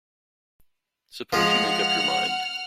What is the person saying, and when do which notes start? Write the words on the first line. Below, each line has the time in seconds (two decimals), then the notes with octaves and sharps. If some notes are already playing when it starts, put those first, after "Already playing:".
Suppose you make up your mind.
1.33 F3 G#3 F#5 F6